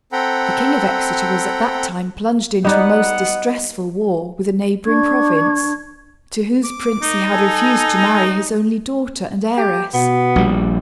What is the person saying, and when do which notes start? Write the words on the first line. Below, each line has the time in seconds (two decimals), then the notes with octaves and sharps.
The King of Exeter was at that time plunged into a most distressful war with a neighboring province, to whose prince he had refused to marry his only daughter and heiress.
0.12 C4 A4 F#5 G5 A#5 B5
2.65 G3 B3 D#4 D#5 F#5
4.86 D4 C#6 G#6
6.64 D6
7.02 D#4
7.33 A4 G#5
9.58 G4
9.94 B2 B3
10.36 A#1 G3